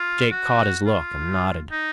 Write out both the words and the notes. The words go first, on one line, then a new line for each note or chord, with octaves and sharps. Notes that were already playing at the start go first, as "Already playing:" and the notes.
Jake caught his look and nodded.
Already playing: F4
F#4
F4
D#4